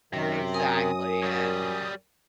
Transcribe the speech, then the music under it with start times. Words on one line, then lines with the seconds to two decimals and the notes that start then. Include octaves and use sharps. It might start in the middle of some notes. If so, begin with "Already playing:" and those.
Exactly, and
0.13 F#2 C3 D#3
0.54 A#4 G#5 D#6
1.22 F#3 G3